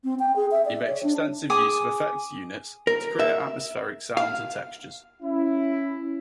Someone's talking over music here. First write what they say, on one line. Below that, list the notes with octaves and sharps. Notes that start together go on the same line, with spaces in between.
He makes extensive use of effects units to create atmospheric sounds and textures.
C4
G5
G#4
E5
D5
C#5
D4
G#4 G#5 D6 D#6
A#4
E5
F5
C#4 E4